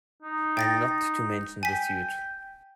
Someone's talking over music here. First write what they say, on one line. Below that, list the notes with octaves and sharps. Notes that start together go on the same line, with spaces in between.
I am not to mention the suit.
D#4
G5 A6 A#6
G5 G#5 B6